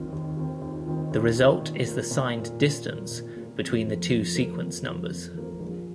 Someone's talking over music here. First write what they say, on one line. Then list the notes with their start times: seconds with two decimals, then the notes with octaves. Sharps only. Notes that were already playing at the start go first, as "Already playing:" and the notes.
The result is the signed "distance" between the two sequence numbers.
Already playing: D#2 D#3 C4 F4
0.13 D#2
0.37 D#3 C4 F4
0.62 D#2
0.86 D#3 C4 F4
1.11 D#2
1.36 D#3 C4 F4
1.61 A#2
1.87 A#3 F4
2.11 A#2
2.36 A#3 F4
2.61 A#2
2.86 A#3 F4
3.11 A#2
3.36 A#3 F4
3.61 F2
3.86 F3 A#3 F4
4.11 F2
4.35 F3 A#3 F4
4.61 F2
4.85 F3 A#3 F4
5.10 F2
5.35 F3 A#3 F4
5.60 A#1